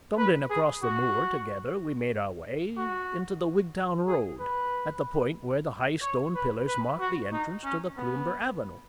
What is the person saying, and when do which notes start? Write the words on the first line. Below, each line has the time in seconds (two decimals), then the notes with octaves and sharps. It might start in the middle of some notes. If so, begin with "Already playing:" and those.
Stumbling across the moor together, we made our way into the Wigtown Road, at the point where the high stone pillars mark the entrance to the Cloomber avenue.
0.17 B4
0.50 G#4
0.83 F#4
2.77 F#4
4.07 G#4
4.40 B4
6.02 C#5
6.35 B4
6.67 B4
7.00 F#4
7.32 D#4
7.64 C#4
7.97 B3